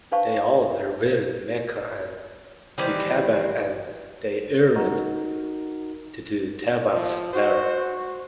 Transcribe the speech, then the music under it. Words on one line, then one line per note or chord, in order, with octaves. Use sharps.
They all revered Mecca and the Ka'bah and they yearned to do tawaf there.
D4 B4 C5 F5 A5 C#6
D#3 E3 G3 C4
D#4 F#4 A#4
F3
F#4 C5